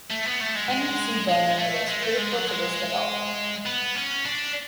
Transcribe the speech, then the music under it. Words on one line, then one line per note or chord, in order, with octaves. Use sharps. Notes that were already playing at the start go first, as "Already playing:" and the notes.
Henry C. Bowen was critical to this development.
A3
B3
A3
G#3
G#3
G#3
A3
G#3
A3
G#3
F#3
G#3
B3
C#4
D4